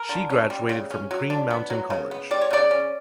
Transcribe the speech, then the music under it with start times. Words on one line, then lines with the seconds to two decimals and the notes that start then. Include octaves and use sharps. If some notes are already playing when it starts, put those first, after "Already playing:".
She graduated from Green Mountain College.
Already playing: A#4
0.09 D3
0.30 C#4
0.50 G3
0.69 C#3
0.91 C#4
1.11 F#3
1.30 D4
1.51 B3
1.70 F#3
1.90 C#3
2.11 B3
2.31 G3 D5
2.41 C#5
2.51 C#3 D4 D5
2.71 C#4